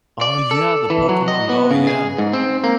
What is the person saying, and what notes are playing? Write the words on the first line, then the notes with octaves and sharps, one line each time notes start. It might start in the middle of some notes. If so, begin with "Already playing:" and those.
Oh yeah, the Pokemon Go, yeah.
D5
A4
E3
F#3
D#5
B3
C#3
G#4
G#2
C4
A#3